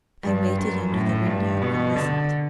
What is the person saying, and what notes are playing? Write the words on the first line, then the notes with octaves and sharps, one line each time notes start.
I waited under the window and listened.
G2
F#2
A2
G2
B2
D3